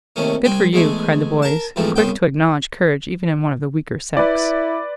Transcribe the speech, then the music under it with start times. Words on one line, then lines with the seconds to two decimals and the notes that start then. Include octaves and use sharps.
"Good for you," cried the boys, quick to acknowledge courage even in one of the weaker sex.
0.16 D#2 C3 D#3 A3 C#4
0.44 C2 C4 G5 G#5
0.73 E2 G#3 A3 G#5
1.42 A#4 A5
1.76 F2 G#2 C3 E3 F3 A3
1.96 C2 C#3 B3 C5 G5
4.17 E4 B4 D5